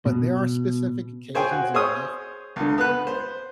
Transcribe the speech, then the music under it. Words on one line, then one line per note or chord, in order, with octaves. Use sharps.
but there are specific occasions in life
B2
G#4 C5 C#5 G5 G#5
F#4
G#4 C5 C#5 D#6
C#2 D3
B3 B4 F#6
C5